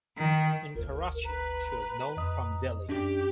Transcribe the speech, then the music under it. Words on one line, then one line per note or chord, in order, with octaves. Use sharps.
In Karachi she was known from Delhi.
D#3
G1 D2 A#4
B4 A#5
F2 D#5 D#6
F#2 C#4 D4 G4